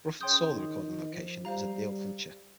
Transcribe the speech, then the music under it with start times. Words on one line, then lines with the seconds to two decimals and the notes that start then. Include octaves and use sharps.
Bruford saw the recording location as "a deal clincher".
0.20 C#3 C#5 G5 C6 D#6 G6
0.52 D#3
0.82 D#3
1.13 F3
1.45 G3 C5 F5 A#5
1.75 G3